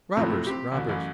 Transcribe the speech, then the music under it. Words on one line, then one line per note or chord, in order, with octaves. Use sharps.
Robbers! robbers!'
A#1 F2 A2 C3 F#3 A3
C4 G4
A1 D2
A1 F#2